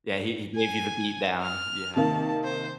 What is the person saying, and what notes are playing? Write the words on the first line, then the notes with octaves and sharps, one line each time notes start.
Yeah. Yeah, he he gave you the beat down, yeah.
G#5
F6
C3 D#3 A#3 A5
C5